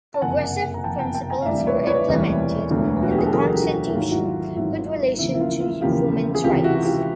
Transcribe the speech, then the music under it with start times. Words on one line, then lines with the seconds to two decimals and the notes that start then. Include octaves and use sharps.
Progressive principles were implemented in the constitution with relation to women's rights.
0.14 A5
0.22 F#1 F2 C3 F#5 G#5
0.74 A#5
0.83 F#1 F2 C3 G5 A5
0.99 G5 A5
1.14 G5 A5
1.30 G#5 A#5
1.42 F5
1.46 E1 D2 C3 E3 G3 D5 E5
1.67 B4 C#5
1.83 D5
1.87 B4 C#5
2.08 E1 D2 C3 E3 G3
2.71 E1 D2 D3 F#3
3.03 F#4
3.11 G4
3.18 G#4
3.26 A4
3.33 E1 D2 D3 F#3 G#4 A#4
3.54 G4
3.63 F#4 G#4
3.86 E4
3.94 G#1 G#2 D#3 F#3 F4
4.11 E4 F#4
4.25 F4
4.41 F4
4.56 G#1 G#2 D#3 F#3 E4
5.19 E2 C#3 F3 A#3 E4
5.34 E4
5.40 F4
5.60 F4
5.81 E2 C#3 F3 A#3 F4 G4
6.35 G#4
6.43 C#2 C3 E3 F4 G4
6.64 E4 F#4
6.74 F#4
6.84 F4 G4